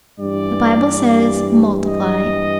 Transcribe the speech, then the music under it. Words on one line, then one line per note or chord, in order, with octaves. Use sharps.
The Bible says: Multiply.
G2 E3 G3 D5
D#5